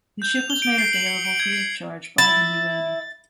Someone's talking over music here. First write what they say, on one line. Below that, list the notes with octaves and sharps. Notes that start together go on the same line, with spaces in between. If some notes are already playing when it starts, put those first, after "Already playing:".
The ship was made available free of charge by the new owner.
G6
F7
G7
D7
C7
F#7
C#7
D7
G#6
C7
E4 A6